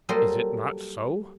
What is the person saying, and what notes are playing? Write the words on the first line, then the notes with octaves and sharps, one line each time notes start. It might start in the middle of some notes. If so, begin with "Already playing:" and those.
Is it not so?'
F#3 G3 A#3 A4 C5 D#5